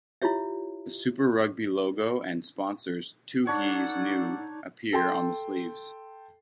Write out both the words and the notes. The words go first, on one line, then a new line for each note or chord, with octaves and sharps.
The Super Rugby logo and sponsors Tooheys New appear on the sleeves.
E4 F4 G4 C#5 E5
D4 D#4 A4 C#5 D5 F#5
A4 G5 C6